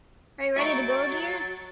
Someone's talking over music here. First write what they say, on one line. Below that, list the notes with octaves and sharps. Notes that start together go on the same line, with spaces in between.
Are you ready to go, dear?
F#3 A3 D#4 E4 C#6 A6 D7